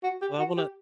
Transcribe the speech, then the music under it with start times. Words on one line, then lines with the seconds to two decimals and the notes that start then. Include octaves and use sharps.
Well, I wanna
0.04 F#4
0.22 G4
0.39 F#4
0.57 G4